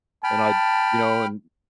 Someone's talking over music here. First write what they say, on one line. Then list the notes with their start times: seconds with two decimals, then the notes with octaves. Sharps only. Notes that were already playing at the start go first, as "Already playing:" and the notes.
and I you know, and
0.24 G5 A5 B5 F6